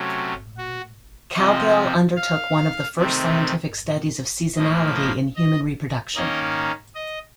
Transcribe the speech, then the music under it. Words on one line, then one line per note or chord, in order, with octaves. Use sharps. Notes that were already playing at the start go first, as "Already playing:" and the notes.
Cowgill undertook one of the first scientific studies of seasonality in human reproduction.
Already playing: C3 F#3 A3 C#4
F#4
C3 F3 C4 D#5
F5
C3 D#3 A3 C4
A2 F3 A#3 D#5
D#5
D#5
D#3 A#3 C#4 D#5
D#5